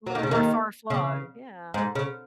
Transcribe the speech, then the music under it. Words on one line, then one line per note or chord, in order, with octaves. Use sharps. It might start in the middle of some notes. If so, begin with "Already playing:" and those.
A little more far-flung, yeah.
F#3
D#3
C#3
D#2 D#3
C#3
G#2
C#3